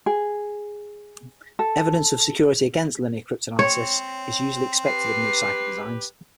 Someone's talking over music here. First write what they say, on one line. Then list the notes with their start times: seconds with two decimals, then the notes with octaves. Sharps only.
Evidence of security against linear cryptanalysis is usually expected of new cipher designs.
0.06 G#4
1.59 A4
3.59 C4 C#5
4.86 G4 B4 C7